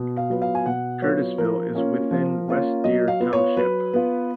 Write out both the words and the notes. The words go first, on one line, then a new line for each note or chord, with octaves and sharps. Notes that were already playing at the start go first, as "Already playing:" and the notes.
Curtisville is within West Deer Township.
Already playing: B2
F5
F#3 B3 F4
F5
G#5
B2 F#5
F#3 B3 F4 C#5
F3 A#4
A#3 C#4 F4
F3
A#3 C#4 F4
F#3 D#5
F5
B3 F4
C#5
F#3 B4
B3 F4